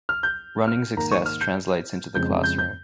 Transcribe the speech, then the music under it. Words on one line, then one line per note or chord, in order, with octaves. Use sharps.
Running success translates into the classroom.
F6
G6
F6
G#2 D#3 A#3 A#5
C#6
F6
G6
F2 C#3 G#3 C4 G6
G6
G6